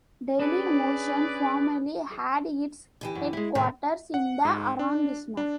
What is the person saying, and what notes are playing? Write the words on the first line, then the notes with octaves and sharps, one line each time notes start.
Dailymotion formerly had its headquarters in the arrondissement.
C#4 D4 G#4 B4 D5
D3 E3 G4
F#2
G#3 E4
A2 C3 D#3 G#4 B4
F#5
G#2
D4
D4